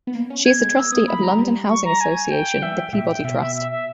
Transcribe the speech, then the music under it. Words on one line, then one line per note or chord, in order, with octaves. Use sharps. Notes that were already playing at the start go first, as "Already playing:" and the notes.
She is a Trustee of London Housing Association the Peabody Trust.
B3
A#3
C#4
B3 G#6
G#3
B3 E6
B3 D#6
A#3 B5
E3
G3 A#5
G3
C#6
A#5
G#5
G5
G3
E3 E5
G5
A#2 E5
G5
B2 E5
E5
E5
E5